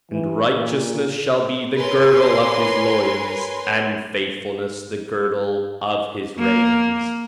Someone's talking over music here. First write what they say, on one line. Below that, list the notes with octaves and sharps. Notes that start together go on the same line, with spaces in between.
And righteousness shall be the girdle of his loins, and faithfulness the girdle of his reins.
E3
A#2
A#4 B4 C#5 G#5 C6
A#3